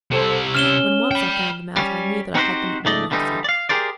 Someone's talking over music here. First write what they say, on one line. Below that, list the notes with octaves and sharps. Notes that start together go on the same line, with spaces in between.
When once I found them out I knew that I had them at my mercy.
C3 E4 A4 C5
C#4 F6 E7 G7
G5 B5
G3 C#4
C4 D#4 F#4 G4 A#4 C5
C#2 G#2 A3 D5 D#5
D3 E3 G3 D4 D#4
D5 F5
G4 G#4 A#4 C5 D5